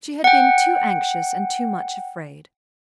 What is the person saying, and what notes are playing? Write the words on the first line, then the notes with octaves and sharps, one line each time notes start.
She had been too anxious and too much afraid.
F#5 G5